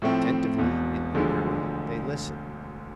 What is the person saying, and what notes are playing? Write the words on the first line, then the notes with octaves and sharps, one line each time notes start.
Attentively and eagerly they listened.
A2 F3 A3 C4
E1 E2 B2
E1 D2 D3 F3 G#3